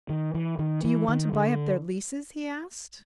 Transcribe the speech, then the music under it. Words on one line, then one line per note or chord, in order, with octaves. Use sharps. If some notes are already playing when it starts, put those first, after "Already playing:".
"Do you want to buy up their leases?" he asked.
D#3
E3
D#3
E3
D#3
D3